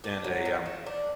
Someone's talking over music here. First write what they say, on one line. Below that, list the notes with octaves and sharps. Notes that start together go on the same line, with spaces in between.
in a, um,
D4
F#3
A2
A3
D4